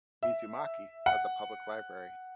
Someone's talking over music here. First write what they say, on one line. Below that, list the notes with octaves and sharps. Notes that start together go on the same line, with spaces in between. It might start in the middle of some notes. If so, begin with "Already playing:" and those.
Mizumaki has a public library.
E5
F#5